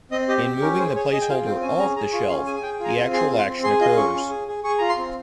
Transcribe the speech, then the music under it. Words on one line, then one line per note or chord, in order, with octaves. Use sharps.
In moving the placeholder "off" the shelf, the actual action occurs.
C4 D#5
G4 D#5
G4
C#4 A#4
G#4 C5
G#4 C#5
G#4 D#5
G5
F4 F5
C4 G5
C#4 G#5
G#4 A#5
G#4 A#5
F4 C#6
C#4 C6
G#4 G#5
G#5
G#4 G5
F4 A#5
G#5
C4
G#4 C6
F4
C6
C4
G#4 C6
F4 D#5
C#4 C#6
C#4
G#4
G#4
G#4 C#6
F4 A#5
C6
C4